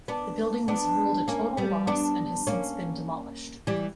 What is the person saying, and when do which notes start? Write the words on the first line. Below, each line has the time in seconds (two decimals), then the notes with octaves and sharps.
The building was ruled a total loss and has since been demolished.
0.08 B3 D4
0.68 B3 D4
1.28 A#3 C#4
1.57 G3 B3
1.87 B3 D4
2.47 A#3 C#4
3.67 E3 G3